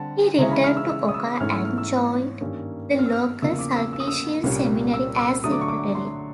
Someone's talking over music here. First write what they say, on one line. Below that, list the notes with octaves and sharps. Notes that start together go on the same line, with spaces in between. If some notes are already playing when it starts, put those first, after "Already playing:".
He returned to Oka and joined the local Sulpician seminary as secretary.
Already playing: D3 G3 C4 F#5 A5
C#3 E3 G#3 C#4 E4 A#5
B5
F6
E6
E6
D#6
E6
G#2 E3 A3 C#4 F6
E6
F6
E6
G2 D#3 G3 A#3 C#4
F6
E6
F6
E2 C#3 F3 A#3 E6
D6
E6
E6
D#6
E6
C2 A#2 G3 A#3 C#4
E6
E6
D3 F#3 A3 D4 D#6
D6
C#6
D6
C6